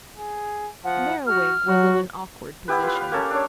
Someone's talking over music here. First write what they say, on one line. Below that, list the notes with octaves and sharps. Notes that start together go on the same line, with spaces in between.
Merriwig was in an awkward position.
G#4
F3 F#5
F#4 F6
F#3 F#4
B3 E4 G4 B4
F4 B4
F5
A#3 C#4 A4
D4 C#5